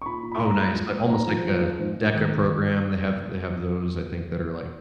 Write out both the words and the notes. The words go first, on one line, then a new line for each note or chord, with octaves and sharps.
Oh, nice, but almost like a DECA program. They have they have those, I think, that are, like,
C#6
A#2 B5
A#2
B5
G#3
A#5
G#3 B5
A#2
G#3
G#2 A#5
F3
F3
F3
G#2
G#2
D#3
D#3